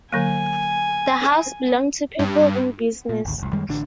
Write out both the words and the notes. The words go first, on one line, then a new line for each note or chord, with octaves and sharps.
The house belonged to people in business.
D3 F#3 A#3 G#5
G2
A#2
G#1 D2
F1 C2
F#2 D#3 G3 G#3
A1 D3 D4